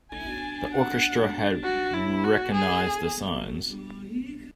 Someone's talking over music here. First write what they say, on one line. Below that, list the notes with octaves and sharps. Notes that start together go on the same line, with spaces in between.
The orchestra had recognized the signs.
G#5
F#5
F#4
E4
F#4
G#4